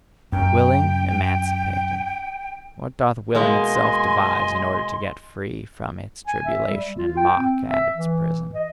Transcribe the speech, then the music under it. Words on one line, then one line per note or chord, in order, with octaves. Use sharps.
Willing emancipateth: what doth Willing itself devise in order to get free from its tribulation and mock at its prison?
F#2 G5
B2 G#3 A#3 D#5 G#5 C6
G#5
E5
G3
F4
G5
C4
E5
E3
D#5